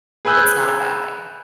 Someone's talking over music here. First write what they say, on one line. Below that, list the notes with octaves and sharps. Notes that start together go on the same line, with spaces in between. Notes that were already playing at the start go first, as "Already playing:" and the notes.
It's not a bad thing.
G#4 B4 G#5 E6 F#6 G6